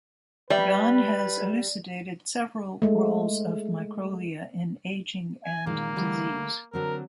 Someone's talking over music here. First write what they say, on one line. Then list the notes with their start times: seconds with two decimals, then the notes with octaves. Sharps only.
Gan has elucidated several roles of microglia in aging and disease.
0.50 G3 B4 D5 E5
2.82 G#3 A3
5.45 G#5
5.66 A#2 D#3 G#3 A#3
5.96 D3 G3 A3
6.73 D3 F#3 C4 A#4